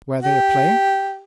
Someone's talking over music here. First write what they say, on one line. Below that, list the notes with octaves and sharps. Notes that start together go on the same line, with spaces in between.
"Where they are playing?"
G4